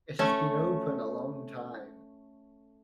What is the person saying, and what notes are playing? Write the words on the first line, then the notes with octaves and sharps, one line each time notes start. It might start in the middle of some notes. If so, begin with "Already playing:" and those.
It has been open a long time!
A3 C#4